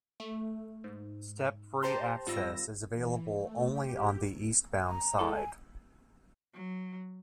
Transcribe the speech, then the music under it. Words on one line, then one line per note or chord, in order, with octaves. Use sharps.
Step-free access is available only on the eastbound side.
A3
G#2
G4 C5 A5 A#5 C6
G#1 G3 F4 E6 A#6
E3
A3
G4
A#5
G#3 E4 A4
G#5
F#3